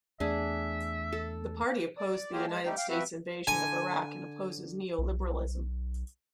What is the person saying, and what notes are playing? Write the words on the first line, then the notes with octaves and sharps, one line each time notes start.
The party opposed the United States invasion of Iraq and opposes neoliberalism.
E2 A3 D4 G#4 E5
A4
D5
F#3 A#3 F4 G4 G#4 D#5
G#3 A5
G3 A3 D#4 G4
F5 G5 D6
F3 C4 F#4 B4 E5
D3 G#5
B1